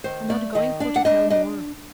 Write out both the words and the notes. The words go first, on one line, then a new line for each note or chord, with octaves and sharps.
I'm not going for to tell more.
D#3 C5
A3 D5
D#3 D#5
D4 D5
F#5
D4 D#5
D4 D#5